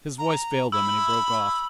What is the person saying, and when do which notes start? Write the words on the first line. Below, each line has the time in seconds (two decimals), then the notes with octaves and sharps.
His voice failed him, and he broke off.
0.18 A#5
0.72 B5 E6